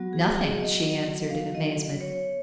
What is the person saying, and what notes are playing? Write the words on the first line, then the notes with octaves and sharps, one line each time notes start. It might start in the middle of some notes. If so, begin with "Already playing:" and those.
"Nothing!" she answered, in amazement.
Already playing: F#3 B3 F#4
G#4
G#4
D#5
F5
D#5
C#5